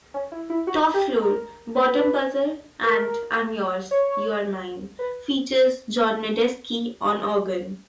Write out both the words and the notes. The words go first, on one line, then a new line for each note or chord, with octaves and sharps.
"Top Floor, Bottom Buzzer" and "I'm Yours, You're Mine" features John Medeski on organ.
C#4
E4
E4
F#4
G4
A#4
B4
A#4
C#5
B4